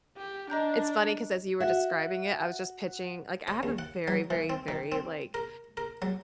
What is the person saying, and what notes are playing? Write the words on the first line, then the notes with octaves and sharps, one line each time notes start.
It's funny 'cause as you were describing it, I was just pitching like I have a very, very, very, like,
G4
D4 D#5 A#5 G6
F#4 E5
C#5
D#2
F#5
F#3
E3
C4
D#3
C4
A#4
A#4
F#3